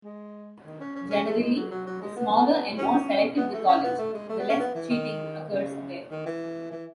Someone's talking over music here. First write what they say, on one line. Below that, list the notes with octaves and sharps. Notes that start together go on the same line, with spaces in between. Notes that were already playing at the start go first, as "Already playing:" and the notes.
Generally, the smaller and more selective the college, the less cheating occurs there.
G#3
D#3
C#4
C#4
C#4
A3
G#3
F#3
F#3
F#3
G#3
B3
C#4
B3
A3
C#4
B3
A3
G#3
A3
B3
C#4
B3
E3
D#3
C#3
D#3
E3
E3